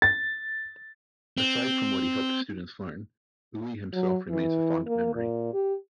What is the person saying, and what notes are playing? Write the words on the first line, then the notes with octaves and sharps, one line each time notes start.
Aside from what he helped students learn, Uli himself remains a fond memory.
A6
C4
F#3
E3
A#3
A#2
G4